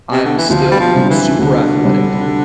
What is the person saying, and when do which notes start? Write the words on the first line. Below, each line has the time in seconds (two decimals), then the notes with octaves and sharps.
I'm still super athletic,
0.12 C3
0.25 D3
0.38 E3
0.50 D2 F3
0.71 G3
0.80 F3
0.95 C3 G3 D4
1.10 E3
1.39 D2 D3
1.84 C3 G3 D4